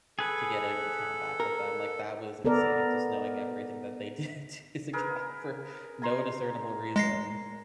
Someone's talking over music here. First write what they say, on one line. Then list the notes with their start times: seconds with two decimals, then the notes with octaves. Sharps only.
to get an account back with them. Like, that was insane, just knowing everything that they did to his account for no discernible reason.
0.19 G#4 A4 B4
1.40 A#4
2.45 B3 A4 A#4 D5
4.93 G#4 A#4 B4
6.02 G#5 A#5 C6
6.96 G#3 A#6 C7